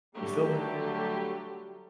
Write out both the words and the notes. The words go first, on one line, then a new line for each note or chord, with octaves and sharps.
You feel me?
D3 F#3 G3 A3 G4